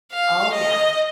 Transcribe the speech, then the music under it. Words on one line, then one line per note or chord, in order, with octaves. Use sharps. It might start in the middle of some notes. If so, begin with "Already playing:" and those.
Oh, yeah.
F5
D#5